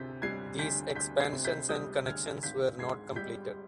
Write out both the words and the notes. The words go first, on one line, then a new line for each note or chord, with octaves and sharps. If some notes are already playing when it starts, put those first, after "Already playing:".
These expansions and connections were not completed.
Already playing: D2 C3 G6 B6
G3 G#6 C7
D2 G6 B6
D2 G6 B6
G#6 C7
C3
G6 B6
G3 D#6 G6
D2 F6 G#6
G#1 G6 B6
G#2 G#6 C7
G3 G6 B6